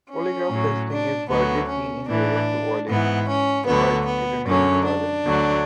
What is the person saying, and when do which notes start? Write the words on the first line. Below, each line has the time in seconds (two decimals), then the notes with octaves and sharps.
Polygraph testing is widely seen in Europe to violate the right to remain silent.
0.11 C#4
0.50 A2 F#3
0.91 D4
1.29 D2 D3 F#3 B3
1.69 C#4
2.09 A2 E3 D4
2.88 G#2 E3 B3
3.28 C#4
3.67 D2 D3 F#3 B3
4.07 B3
4.46 F#2 D3 F#3 C#4
4.86 D4
5.26 D2 D3 F#3